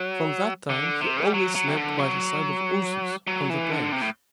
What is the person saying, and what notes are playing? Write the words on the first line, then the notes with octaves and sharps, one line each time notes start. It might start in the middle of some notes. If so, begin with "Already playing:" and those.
From that time he always slept by the side of Ursus on the planks.
Already playing: F#3
D3
C3
G3
F#3
F#3
C3
D3
F#3
F#3
E3
D3
C3
A2